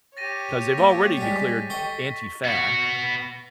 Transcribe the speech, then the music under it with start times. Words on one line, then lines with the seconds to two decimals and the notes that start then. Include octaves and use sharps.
'Cause they've already declared Antifa,
0.17 G4 C#5 A6 A#6 D#7
0.78 A#2
1.17 G3 G#3 A6 B6
1.70 A4 D#5 G5 C#6 G7
2.45 B3 F#4